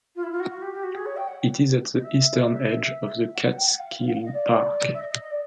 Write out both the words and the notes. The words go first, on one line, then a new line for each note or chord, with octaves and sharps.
It is at the eastern edge of the Catskill Park.
F4
E4
F4
F#4
F#4
G4
G4
F#4
G#4
C#5
G5
F#5
D#5
E5
F#5
F#5
G5
F#5
F5
F5
F5
F#5
F5
D#5
D5
E5
D#5
D#5
D#5
D5